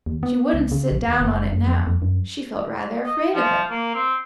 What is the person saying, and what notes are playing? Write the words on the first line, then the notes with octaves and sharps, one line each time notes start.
She wouldn't sit down on it now--she felt rather afraid of it.
D#2
B3
C#2
C#3
A#1
D#2
F#1
F#2
F2
F2
F#2
D#5
F3
A#3
C4